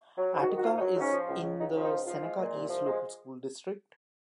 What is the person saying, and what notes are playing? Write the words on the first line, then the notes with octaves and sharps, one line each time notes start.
Attica is in the Seneca East Local School District.
F#3
G#2
F#4
D#3
F#4
G#2 F4
D#4
F#3
G#2 C#4
F3
C#2
C#3
C#2 D#4
F3
D#4
C#2
F3 F4
G#3
A#2
C2
F3
G#3